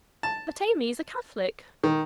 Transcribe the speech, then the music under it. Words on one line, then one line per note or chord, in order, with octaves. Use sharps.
"But Aimee is a Catholic?"
A5
D#3